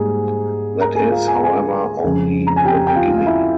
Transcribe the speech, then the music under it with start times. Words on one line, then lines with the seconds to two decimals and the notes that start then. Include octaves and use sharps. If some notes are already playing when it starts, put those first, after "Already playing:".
That is, however, only the beginning.
Already playing: G#2 G3 A#3 G#4
0.81 A#4 A#5
0.95 G#4 G#5
1.11 F4 F5
1.27 G#5
1.35 A#5
1.43 G#4 G#5
2.04 F2 C#3 F3 G#3
2.47 A#5
2.56 G#5
2.65 G4 G5
2.87 G5
2.96 F4 F5
3.18 F5
3.26 E4 E5